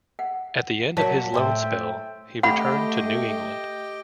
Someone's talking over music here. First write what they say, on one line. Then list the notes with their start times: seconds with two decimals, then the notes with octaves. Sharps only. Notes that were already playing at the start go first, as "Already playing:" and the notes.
At the end of his loan spell he returned to New England.
0.19 F#5
0.97 F#3 A#3 C#5 F5 A5
1.34 A2 C4 E5 G5
2.43 A3 G4 D#5 F#5 G5 B5